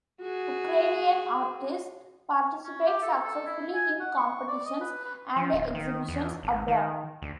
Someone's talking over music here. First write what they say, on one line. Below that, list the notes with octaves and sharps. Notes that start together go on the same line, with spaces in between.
Ukrainian artists participate successfully in competitions and exhibitions abroad.
F#4 G#4
C#4
G4
A4
A4
E4
G#5
F#5
C#6
D5
D#5
B4
B4
F3
D1
D#3
E2
G#1
D#3
D2